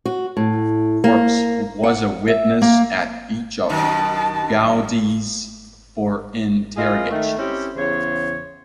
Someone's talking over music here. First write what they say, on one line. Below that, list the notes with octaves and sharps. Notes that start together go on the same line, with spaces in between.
Forbes was a witness at each of Gowdie's four interrogations.
F#4
A2
A#3
F#5
E5
A#3
F#2 B2 D#3 A5
E4 F4 G#4 A#4 D#5
D#3 A3
C4 C#4 E4 G4
E2 C#3 C5 C#5